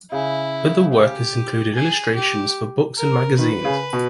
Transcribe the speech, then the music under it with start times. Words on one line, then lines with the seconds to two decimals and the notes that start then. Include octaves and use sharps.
Other work has included illustrations for books and magazines.
0.11 C#3 E4
0.93 G4
1.75 G#4
2.15 G4
2.97 A#4
3.38 D#3 B4
3.65 C#3
3.93 B2